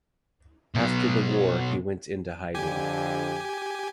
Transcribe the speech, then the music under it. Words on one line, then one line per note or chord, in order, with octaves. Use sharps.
After the war he went into hiding.
B2 F#3
F2 D3 G4 G#5